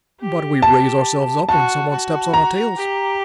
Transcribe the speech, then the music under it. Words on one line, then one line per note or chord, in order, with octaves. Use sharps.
But we raise ourselves up when someone steps on our tails.
G4
A5
F#4 A5
F#4
A#5
G4